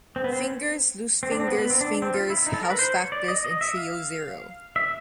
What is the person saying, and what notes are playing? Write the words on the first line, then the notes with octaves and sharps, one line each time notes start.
Fingers, Loosefingers, Fingers, House Factors, and Trio Zero.
C4
B3
C4
C#4
C4
D4
C4
B3
B3
C4
D4
C4
F4
E4
D#4
A4
A#4
B4
C5
C#5
D5
D#5
D#5
E5
F5
E5